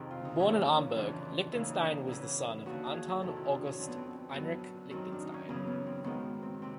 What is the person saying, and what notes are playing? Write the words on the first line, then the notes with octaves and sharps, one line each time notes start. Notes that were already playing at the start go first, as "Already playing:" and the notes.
Born in Hamburg, Lichtenstein was the son of Anton August Heinrich Lichtenstein.
Already playing: F2 C3 D#3 G#4
F4
D#4
D#2 C#3 E3 C#4
F2 C#3 E3 D4
D#2 C#3 E3 E4
D#4
D4
D#4
E2 C#3 E3 E4
D#2 D3 F#4
G#4
F2 C3 D#3 A4
E4
D#4
D4
C#4
F2 D3 C4
B3
C4
F#2 D3 B3
F#2 D#3 C4
D4
D#4
C#4
F#2 C#3 E3 B3
B3
C4
G#2 D#3 B3
C4
C3 C4